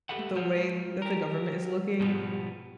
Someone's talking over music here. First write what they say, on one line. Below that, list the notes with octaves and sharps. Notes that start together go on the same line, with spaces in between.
the way that the government is looking,
G4 A4 B4 E5 F#5
G#3 F4 C5 C#5
G4 A#4
G#2 B2 F3 G3 B3